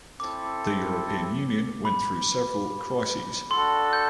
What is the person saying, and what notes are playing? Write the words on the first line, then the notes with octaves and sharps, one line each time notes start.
The European Union went through several crises.
C4 E4 A4 D6
B5
D4 F#4 A4 C6
G6